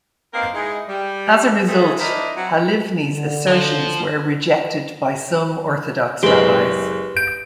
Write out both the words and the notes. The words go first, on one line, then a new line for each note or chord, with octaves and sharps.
As a result, Halivni's assertions were rejected by some Orthodox rabbis.
A#3 C4 D#4 A#4 B4 F5
G#3 D#4 E4
G3
G#3 A3 C4 C#4 E4 G#4
D4 E4 A#4 C5 D5 D#5
F#3 C4 F#4
D3
F3
F#1 G#3 G4 B4
G6 D7